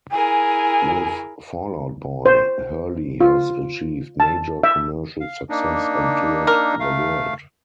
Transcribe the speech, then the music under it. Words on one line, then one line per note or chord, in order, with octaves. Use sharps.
With Fall Out Boy, Hurley has achieved major commercial success and toured the world.
E4 G#4 A#4 G#5
C5
F4
A5
E5
F5
A#3 D4 D#4
A#4
A3 F5